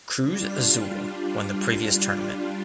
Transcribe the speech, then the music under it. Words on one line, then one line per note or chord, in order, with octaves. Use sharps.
Cruz Azul won the previous tournament.
G3 D4 F4